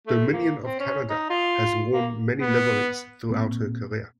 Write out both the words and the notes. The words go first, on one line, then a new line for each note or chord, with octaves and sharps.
"Dominion of Canada" has worn many liveries throughout her career.
A3
A#3
C4
C#4
D#4
F4
A#3
B3
A#2 A#3 C4